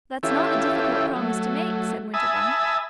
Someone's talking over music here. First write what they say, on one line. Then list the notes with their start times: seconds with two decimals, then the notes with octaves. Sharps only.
"That's not a difficult promise to make," said Winterbourne.
0.23 E3 C#4 F4 G4 A4 E5
1.15 F#3 A3
2.14 E5 G#5 A5 B5 D#6 E6